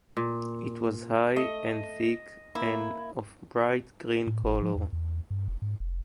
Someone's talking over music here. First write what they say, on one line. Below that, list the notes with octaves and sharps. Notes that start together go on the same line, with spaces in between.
It was high, and thick, and of a bright green color.
A#2
A3 D#5
A#3 E4
A2
G1
F3
E2
E2
G2
F1
G#2
F1